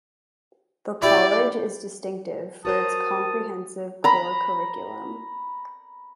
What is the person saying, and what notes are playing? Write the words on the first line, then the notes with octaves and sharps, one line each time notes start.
The college is distinctive for its comprehensive Core Curriculum.
E4 G4 D5
F#4 A#4 C5 A5 D#6
A#5 B5